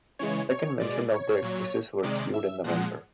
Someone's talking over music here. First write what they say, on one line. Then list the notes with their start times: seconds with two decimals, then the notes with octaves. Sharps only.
The second mention of their cases were queued in November.
0.19 C#3 E3 G#3 C#5
0.50 C#5
0.80 B2 G#3 D5
1.11 C#5
1.42 A#2 F#3
2.03 C3 D#3 G#3 D5
2.34 E5
2.64 A#2 F3 G#3 F#5